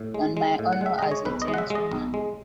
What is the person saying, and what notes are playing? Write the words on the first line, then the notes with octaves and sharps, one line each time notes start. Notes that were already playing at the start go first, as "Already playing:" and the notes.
On my honor as a gentleman.
Already playing: A2
G#3
G#3
A2
F#5
G#3 E5
G#3 D#5
C#5
B1 B4
D#5
G#3
F#5
E5
G#3
D#5
B1
G#3